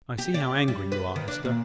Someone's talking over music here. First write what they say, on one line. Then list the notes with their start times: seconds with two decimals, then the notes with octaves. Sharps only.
I see how angry you are, Hester.
0.18 G4
0.34 D5
0.68 G3
0.92 B4
1.16 D#3
1.28 D4
1.45 A#2